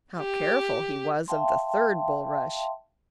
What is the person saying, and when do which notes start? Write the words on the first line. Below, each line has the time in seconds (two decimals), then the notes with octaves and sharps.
How careful he was of the third bulrush!
0.19 G4
1.28 E5 F5 G5 A5 C6